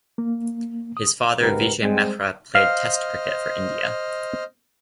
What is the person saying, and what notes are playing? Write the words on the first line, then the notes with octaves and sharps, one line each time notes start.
His father Vijay Mehra played Test cricket for India.
A#3
D#6
G#1 C#2 G#2 G4 A#4 B4
G3 G#3 C4
C5 D#5 F5 F6